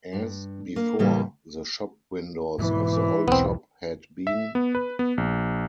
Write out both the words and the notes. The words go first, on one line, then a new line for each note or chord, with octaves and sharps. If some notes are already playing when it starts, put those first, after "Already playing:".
As, before, the shop windows of the old shop had been.
G2
A#3
A2 C#3 E3 G3 A#3
G#2 B2 E3
B1 E2 G#2 B3 C4
E5
B3
B4
B3
A#1